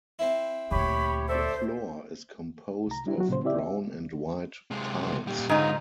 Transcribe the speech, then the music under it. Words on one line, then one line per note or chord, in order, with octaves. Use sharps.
The floor is composed of brown and white tiles.
C4 E4
D2 A#2 G4 C#5 B5
A4 C5 D5 E5
C2 A#5
G3 D4 E4 G4
F#3 F#4
A#2 C#3 C5
C4 E4 G4 D5 E5
C3 G#3
A#2 G3
G#2 D3 D#4 F4